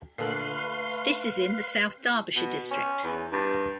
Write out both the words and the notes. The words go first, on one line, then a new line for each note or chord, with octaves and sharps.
This is in the South Derbyshire district.
A#2 D3 A3 B4 F5 C6 F#6
B2
C#4
E2
G2